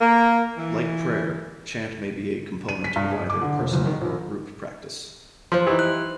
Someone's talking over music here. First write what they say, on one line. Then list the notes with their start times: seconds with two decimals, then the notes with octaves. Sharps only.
Like prayer, chant may be a component of either personal or group practice.
0.01 A#3
0.56 E3
2.69 D#7
2.84 B6
2.96 G2
3.12 G#4
3.30 D6
3.42 D3
3.58 F1
3.73 F#1
3.86 D#3
4.01 A#1
5.52 F3 C5 C6
5.67 E3 D#4 G4
5.79 F#6